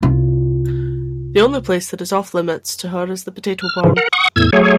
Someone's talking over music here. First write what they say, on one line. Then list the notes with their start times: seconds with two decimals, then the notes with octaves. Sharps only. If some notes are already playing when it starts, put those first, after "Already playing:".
The only place that is off-limits to her is the potato barn.
0.02 C2 F4
3.61 F6
3.84 G#2 C#3 E3 F3
3.96 A#4 F#5
4.13 F#5 C#6 D#6
4.36 E2 A2 E6 G#6
4.53 F#3 A3 G#4 C#5